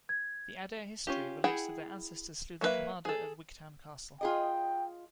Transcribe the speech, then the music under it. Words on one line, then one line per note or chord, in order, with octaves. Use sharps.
The Adair history relates that their ancestor slew the commander of Wigtown Castle.
G#6
C#4 F4 G4
E4 G#4 F#5 G5
F#3 A#3 C4 B4 E5
G#4 A4
F4 G#4 D#5 G5